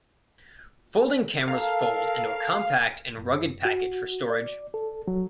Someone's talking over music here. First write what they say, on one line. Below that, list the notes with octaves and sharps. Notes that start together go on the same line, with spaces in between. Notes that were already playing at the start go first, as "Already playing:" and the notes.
Folding cameras fold into a compact and rugged package for storage.
A4 A#4 F5
F#2
F#4
D5
A4
F#3